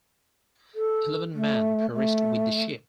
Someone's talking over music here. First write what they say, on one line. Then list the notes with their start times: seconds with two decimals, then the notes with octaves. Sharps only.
Eleven men perished with the ship.
0.75 A4
1.35 A3
1.94 A3